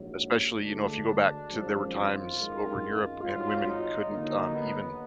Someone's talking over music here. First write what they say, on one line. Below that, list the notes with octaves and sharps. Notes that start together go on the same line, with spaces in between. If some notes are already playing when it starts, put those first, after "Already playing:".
Especially, you know, if you go back to there were times over in Europe, and women couldn't, um, even
Already playing: A#1 G#2 F#3
D2 D3 G#3 D4
G#1 F#2 F3 G#3
F4
G#1 F#2 D#3 G#3
G#1 G#2 F#3 F4
D#4
D#2 D3 F#3 A#3 D#4
B3